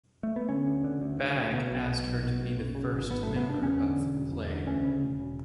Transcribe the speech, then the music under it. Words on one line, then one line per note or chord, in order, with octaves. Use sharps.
Bagge asked her to be the first member of Play.
A3
B3
D3 C#4
D2
D3
D2
D3
D2
B2 B3
B1
B2
B1
B2
B1
F#2
C#3
G#1
G#1 B3
A3
F#2
B3
C#3 D4
E2 C#4
D3
E1
E1
E2
D3
D2 C#4
C#3
E1
E1